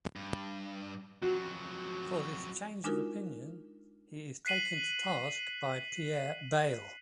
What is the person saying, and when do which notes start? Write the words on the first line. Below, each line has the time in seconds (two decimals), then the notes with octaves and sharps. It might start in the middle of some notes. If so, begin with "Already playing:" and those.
For this change of opinion he is taken to task by Pierre Bayle.
0.16 G2
1.22 F2 F#3 F#4
2.84 G#3 D4 D#4 F4 F#4 A#4
4.45 F#6 B6 C7 D#7 F#7